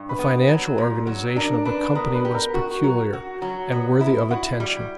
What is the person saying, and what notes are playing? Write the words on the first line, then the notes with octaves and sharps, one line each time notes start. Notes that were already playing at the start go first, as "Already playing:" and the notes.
The financial organization of the company was peculiar and worthy of attention.
Already playing: G2
B4 B5
B3
F#3
A#2
F#3
D4 A#4 A#5
D4 B4 B5
B3 A#4 A#5
B4 B5
G4
A#4 A#5
F#4
F#3
F#4
F#3
B3
E4
E4 F#4 F#5
G3